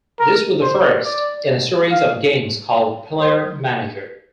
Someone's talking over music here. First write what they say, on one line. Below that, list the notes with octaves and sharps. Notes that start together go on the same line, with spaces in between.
This was the first in a series of games called "Player Manager".
A#4
C5
D5
F5
C5